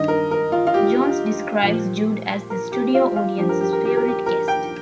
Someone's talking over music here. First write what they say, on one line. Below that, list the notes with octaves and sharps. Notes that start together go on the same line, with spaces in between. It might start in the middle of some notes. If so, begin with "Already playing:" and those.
Jones describes Jude as the studio audience's favorite guest.
Already playing: G2 D#3 D#5
A#4
A#4
F4
F4
G4
A#2 F3
A#4
G4
F4
F4
G2 F3 G4
A#4
G4
A#4
G4
A#4
G4
A#4
G5